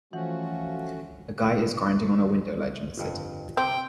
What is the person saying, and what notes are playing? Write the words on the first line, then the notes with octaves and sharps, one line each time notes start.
A guy is grinding on a window ledge in a city.
E3 F3 A3 C#4 F#4 F#5
G1 F2
C3 C4 G5